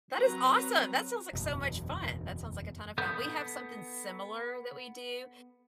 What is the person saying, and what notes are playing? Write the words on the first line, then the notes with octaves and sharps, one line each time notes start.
That is awesome. That sounds like so much fun. That sounds like a ton of fun. We have something similar that we do.
F#3 C4 B4 A#5
F#1 E2 B2
B3 A4 D#6 G6